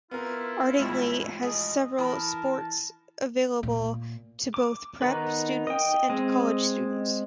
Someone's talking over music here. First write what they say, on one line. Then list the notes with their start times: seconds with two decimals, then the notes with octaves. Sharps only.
Ardingly has several sports available to both prep students and college students.
0.11 B3 E4 F4 A#4
0.79 A1 F2 G#2 C#5
1.43 G#4 D#5
1.99 E3 A#4 A5 B5 D#6
3.63 A#2
4.54 D6
5.02 D#3 B3 D#4 B4
5.67 D#5 G5
6.09 G#3 C4 D#5